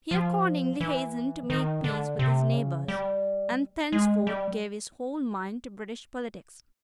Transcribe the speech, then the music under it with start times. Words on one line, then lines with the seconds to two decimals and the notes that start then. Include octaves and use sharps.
He accordingly hastened to make peace with his neighbours, and thenceforth gave his whole mind to British politics.
0.11 F3
0.81 E3
1.50 D#3
1.84 D3
2.19 C3
2.53 C#3
2.88 G3
3.92 G#3
4.27 G3